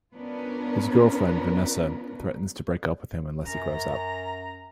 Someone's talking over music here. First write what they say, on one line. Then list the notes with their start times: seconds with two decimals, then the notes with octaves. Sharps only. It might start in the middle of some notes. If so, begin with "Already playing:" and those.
His girlfriend, Vanessa, threatens to break up with him unless he grows up.
0.15 B3 C#4 D4 F4 A#4 B4
3.46 F#2 C#4 A#5